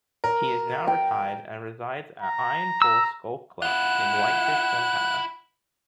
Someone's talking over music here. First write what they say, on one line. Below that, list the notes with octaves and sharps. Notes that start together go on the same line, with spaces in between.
He is now retired and resides at Iron Horse Golf Club in Whitefish, Montana.
A#4
G5
A#5
A#5 E6
E4 F4 F#5 F#6